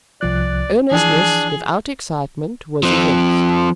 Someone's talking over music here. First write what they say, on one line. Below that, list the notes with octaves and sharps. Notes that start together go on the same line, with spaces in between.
Earnestness without excitement was evinced.
C2 F3 D5 F#6
E3 F3 D4 G#4
F3 C4